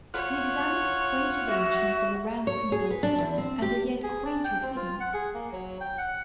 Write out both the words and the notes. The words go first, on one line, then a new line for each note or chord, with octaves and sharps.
He examined the quaint arrangements of the rambling building, and their yet quainter fittings.
F4 C#5 F#5
F#4 E5
C#5
G#4
B4
D4
E2
C4
G4
G#4
D4
G5
C4
F4
F#5
G#4
A#3
F#3
G5
F#5